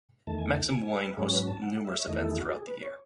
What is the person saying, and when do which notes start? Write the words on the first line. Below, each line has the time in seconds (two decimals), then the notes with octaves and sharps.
Maxim Wien hosts numerous events throughout the year.
0.27 E2 D#3 A3 A5
0.38 G#5
0.50 A5
0.72 G#5
0.83 G#5
0.95 G#5
1.06 B4
1.17 G#2 F#3 C#4 G#4
1.28 C#5
1.32 B4
1.47 A5
1.62 F#5
1.85 E5
1.99 C#5
2.07 E2 D#3 A3 E4 D#5
2.19 A4
2.30 G#4
2.41 F#4
2.49 A4
2.52 G#4
2.67 B4
2.82 C#5